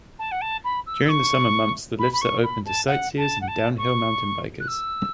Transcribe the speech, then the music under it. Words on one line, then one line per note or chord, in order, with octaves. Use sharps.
During the summer months the lifts are open to sightseers and downhill mountain bikers.
A5
F#5
A5
B5
E6
E6
C#6
B5
B5
C#6
B5
A5
F#5
A5
F#5
A5
C#6
F#6
E6